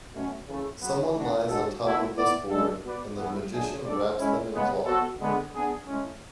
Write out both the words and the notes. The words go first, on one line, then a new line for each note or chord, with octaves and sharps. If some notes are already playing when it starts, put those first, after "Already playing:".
Someone lies on top of this board, and the magician wraps them in cloth.
B2 F#3 A3 C#4
C#3 E3 A3
C#3 F#3 B3
A3 D4 F#4
G#3 D4 F#4 A4
B2 A3 E4
B3 E4 B4 D5
C#3 G#3 D4 A4
B3 F#4 B4 D5
A2 E3 B3
B2 F#3 A3 D4 G#4
A3 D4 A4 D5
G#3 C#4 E4
C#3 G#3 B3
B3 F#4 A4
D3 G#3 B3
B3 D4 G#4
A2 G#3 C#4